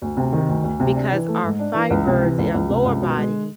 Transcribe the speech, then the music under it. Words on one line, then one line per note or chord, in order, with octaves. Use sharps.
because our fibers in our lower body
D2
C3
D#3
D2
D2
C3
D4
E3
A3
G#2
D4
E3
C#2
C3
E3
C#2
C#2
C3
C#2
B2
G#3